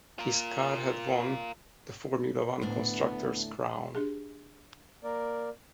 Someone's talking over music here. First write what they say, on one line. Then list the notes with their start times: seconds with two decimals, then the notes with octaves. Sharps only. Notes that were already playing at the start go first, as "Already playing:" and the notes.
His car had won the Formula One constructors' crown.
0.19 F4 A#4
2.61 D2 A2 B3 D4
3.95 D4 G4 G#4
5.04 A#3 A#4 D5